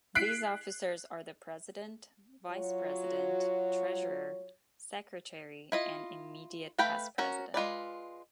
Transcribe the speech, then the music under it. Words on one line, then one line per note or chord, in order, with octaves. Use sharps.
These officers are the President, Vice President, Treasurer, Secretary, and Immediate Past President.
F#6 B6 C7 D7
F#3 F4 F#4 C#5
E4 F4 D#5
A3 B4 F5 G5 B5
C#4 F#4 A#4
G#3 F4 B4 D5